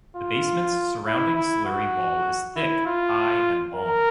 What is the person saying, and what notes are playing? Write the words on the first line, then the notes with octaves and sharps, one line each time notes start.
The basement's surrounding slurry wall is thick, high and long.
F4
E4
E4
F#4
E4
F4
A#4